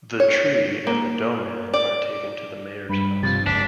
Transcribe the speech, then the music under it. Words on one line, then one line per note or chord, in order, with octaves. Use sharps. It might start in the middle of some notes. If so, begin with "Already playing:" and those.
The tree and the dough-man are taken to the mayor's house.
C#5
A#3
D5
G2 B5
C3 F3 A6
F1 C#2 G#2 D4 B6